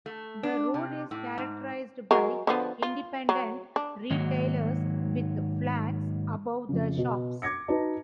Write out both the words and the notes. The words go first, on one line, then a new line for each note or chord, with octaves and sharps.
The road is characterised by independent retailers with flats above the shops.
A3
D4
C3
A2
G#2
F#3 G#3 A#4
D3 F3 B3
F4
F#3
D4
G#2 D#3 F#3 A#3 F#4
F2 C#3
B2
D6 G#6 A#6 C#7
D#4 F#4 B4 D#5 A5